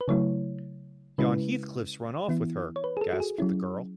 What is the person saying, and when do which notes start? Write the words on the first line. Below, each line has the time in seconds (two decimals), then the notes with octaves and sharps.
'Yon Heathcliff’s run off with her!’ gasped the girl.
0.01 B4
0.08 C#3 F#3 A3 E4 C#5
1.18 C#3 G#3 C#4 E4 B4
2.29 E3 B3 E4
2.76 C#5
2.84 B4
2.97 G#4
3.01 A4
3.13 F#4
3.20 G#4
3.38 F#3 C#4 E4